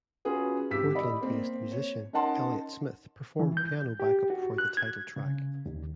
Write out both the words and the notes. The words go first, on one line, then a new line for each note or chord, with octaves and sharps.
Portland-based musician Elliott Smith performed piano backup for the title track.
C#4 F4 F#4 G#4 B4
G#1 G4 D6 E6 B6
D5 D#5 B5
A#3 C4 A#4
C#5
C#4 D#4 A#4 F#5 A5 C6
E3
G6
G4
F#4
F#6
G#6
C#3
D#2